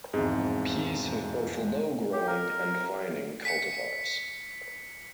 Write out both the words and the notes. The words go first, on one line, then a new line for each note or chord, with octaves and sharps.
Peas have both low-growing and vining cultivars.
E1 F2 G#2
G4
A#4
B6 C#7